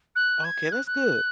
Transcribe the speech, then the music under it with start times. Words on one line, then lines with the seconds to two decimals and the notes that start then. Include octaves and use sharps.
Okay, that's good.
0.15 F#6
0.44 G#6
0.72 F#6
0.86 F#6